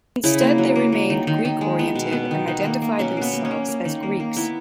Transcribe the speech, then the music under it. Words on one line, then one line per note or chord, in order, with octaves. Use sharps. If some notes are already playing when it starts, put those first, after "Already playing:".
Instead they remained Greek-oriented and identified themselves as Greeks.
C#3 E4
A#3
F#3
A#3
F#3
D#3
D#3
D#3
G#3
B3
B2
B3
D#3
D#3
A#3
A#3
B2 C#4
A#3 B3
A#3
C#4
A#3
A#3
D#3
A#3
A#3
B3 E4